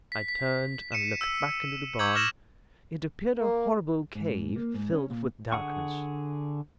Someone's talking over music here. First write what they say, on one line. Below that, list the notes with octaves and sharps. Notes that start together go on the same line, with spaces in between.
I turned and looked back into the barn. It appeared a horrible cave filled with darkness.
B6
B6
C#7 D#7 E7
E6
C#6 D6 E6 G6 G#6 F#7
F6 A#6 E7 F#7
A#3
G#2
A#3
G#2
C#4
A#2
D3 G#4 F#5 C#6